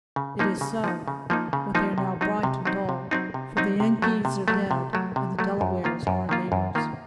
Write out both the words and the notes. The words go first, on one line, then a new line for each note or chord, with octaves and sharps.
"It is so; but they are now bright and dull; for the Yengeese are dead, and the Delawares are our neighbors."
C#3
F3 A#3 D#4
C#3
F3 A#3 D#4
C#3
F3 A#3 D#4
C#3
F3 A#3 D#4
C3
F#3 C4 D#4
C3
F#3 C4 D#4
C3
F#3 C4 D#4
C3
F#3 C4 D#4
C3
F#3 A3
C3
F#3 A3
C3
F#3 A3
C3
F#3 A3
F#2
D#3 A#3 F4
F#2
D#3 A#3 F4
F#2
D#3 A#3 F4